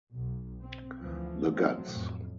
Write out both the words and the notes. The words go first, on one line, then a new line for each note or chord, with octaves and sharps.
The Guts!
B1
C4
D2 E3 F3
F3 F#3 A3 C4
F2 A2